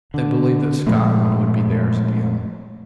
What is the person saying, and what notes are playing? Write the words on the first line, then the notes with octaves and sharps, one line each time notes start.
They believed that Scotland would be theirs again.
D3
A#2 F3 G#3 A3